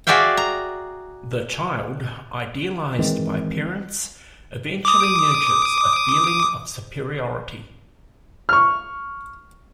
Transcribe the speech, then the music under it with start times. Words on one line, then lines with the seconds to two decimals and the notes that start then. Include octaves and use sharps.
The child, idealized by parents, eventually nurtures a feeling of superiority.
0.07 F#4 G#4 D5 E5 F5 G5
0.37 A#5
2.99 D#3 E3 G#3 C4
4.85 D6 D#6
8.49 C#6 F6